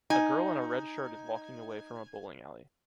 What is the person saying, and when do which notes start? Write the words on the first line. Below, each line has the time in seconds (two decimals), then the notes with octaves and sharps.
A girl in a red shirt is walking away from a bowling alley.
0.10 D#4 G#5